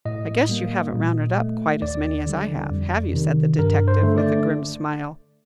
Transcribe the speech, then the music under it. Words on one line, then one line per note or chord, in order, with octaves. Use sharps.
"I guess you haven't rounded up quite as many as I have, have you?" said the detective, with a grim smile.
A2 D#5
G3 A#3
A#2
A3
D#2 D5
D3 G3
F2
C3 D#3
G2 A#4
C5
D3 A3
D5